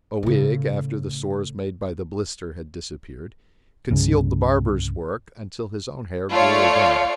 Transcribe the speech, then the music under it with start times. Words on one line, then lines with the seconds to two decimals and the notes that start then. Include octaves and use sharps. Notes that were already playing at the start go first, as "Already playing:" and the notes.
A wig, after the sores made by the blister had disappeared, concealed the barber's work until his own hair grew again.
0.23 A2 C#3
3.90 C2 G2 C#3
6.31 A3 F4 C#5 D5 F5 C#7